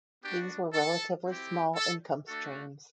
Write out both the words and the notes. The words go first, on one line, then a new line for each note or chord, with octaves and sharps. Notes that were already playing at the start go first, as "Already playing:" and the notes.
These were relatively small income streams.
B3 D4 F#4 G4
A4
C4 E4 G4
A4
A3 D4 F#4 A4